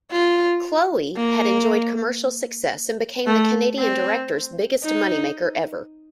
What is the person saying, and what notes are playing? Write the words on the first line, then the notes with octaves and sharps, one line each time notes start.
"Chloe" had enjoyed commercial success and became the Canadian director's biggest money maker ever.
F4
A#3
A3
C4
D#4